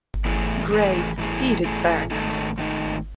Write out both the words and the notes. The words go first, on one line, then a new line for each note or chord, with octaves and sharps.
Graves defeated Burner.
A2 E3 A3 E4 G#4
A2 E3 A3 E4 G#4
A2 E3 A3 E4 G#4
A2 E3 A3 E4 G#4
G#2 D#3 A3 D#4 A4
G#2 D#3 A3 D#4 A4